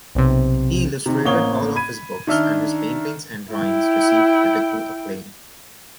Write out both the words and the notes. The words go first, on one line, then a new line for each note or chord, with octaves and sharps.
He illustrated all of his books, and his paintings and drawings received critical acclaim.
B1 C3
C3 D#3
A1 A#3 C4 C#5 D#6 G7
B5 G#6 D#7
D#3 D4 E5 E6 F6 G7
E4 G5